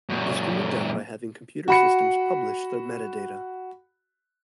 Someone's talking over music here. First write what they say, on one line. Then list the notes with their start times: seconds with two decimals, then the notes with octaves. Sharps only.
This can be done by having computer systems publish their metadata.
0.09 F#2 A#2
1.68 F#4 B5 C#7